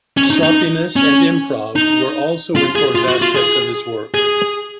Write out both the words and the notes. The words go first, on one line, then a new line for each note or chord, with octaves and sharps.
Sloppiness and improv were also important aspects of his work.
C#4
D#4
D#4
C#4
D#4
F4
G#4
F4
F#4
F4
G#4
G#4